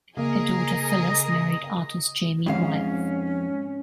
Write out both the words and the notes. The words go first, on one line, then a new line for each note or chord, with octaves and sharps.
Her daughter Phyllis married artist Jamie Wyeth.
C#3 A#3 G#4 A#4 D#5
F2 G#2 C#4 F5